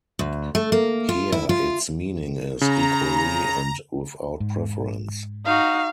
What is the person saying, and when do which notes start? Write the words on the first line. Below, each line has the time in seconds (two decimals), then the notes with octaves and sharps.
Here its meaning is "equally and without preference".
0.19 D2
0.55 A3
0.72 A#3
1.09 F4
1.32 E4
1.49 F4
2.61 C#3 A#5
4.40 G#2
5.46 D#4 F#4 F5